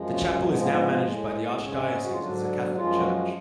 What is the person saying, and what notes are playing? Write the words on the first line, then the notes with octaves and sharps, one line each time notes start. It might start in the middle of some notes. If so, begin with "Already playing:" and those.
The chapel is now managed by the Archdiocese as a Catholic church.
Already playing: F#2 F3 G#3
C#3 C#4
C#3 C#4
G#2 F3 G#3 B3
B3
B3
A2 G#3
G#2 C#3 G#3 C#4
G#4
F#4
F4
G#2 D3 F#3 D4
F#2 F3 G#3 F4
F#3 F#4